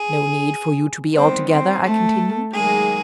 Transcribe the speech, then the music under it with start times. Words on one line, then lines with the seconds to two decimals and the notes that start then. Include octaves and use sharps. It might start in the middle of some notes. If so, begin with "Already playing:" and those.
"No need for you to be, altogether!" I continued.
Already playing: G#4
1.14 D#3 G3 B3 C4 C5
1.49 C4 C5
1.84 A3 A4
2.53 D#3 F#3 G#3 A#3 G#4